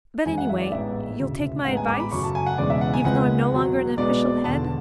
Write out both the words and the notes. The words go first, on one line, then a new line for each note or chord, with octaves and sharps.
But, anyway, you'll take my advice, even though I'm no longer an official head?
F#2 E3 G#3 G#5
F#5
E5
D5
A1 G#2 G#3 B3 E5
E1 D2 C#3
A1 G#2 G#3 B3 F#5
G#5
D6
B5
F#2 C#3 F#3 A3 C#6
A5
G#5
F#5
E1 E2 C#3 E3 G#3 D5
E5
F#5
G#5
C#2 C#3 G#3 B3 F#5
E2 B2 F#3
B1 B2 G#3 B3 D5
E1 E2 D3 A5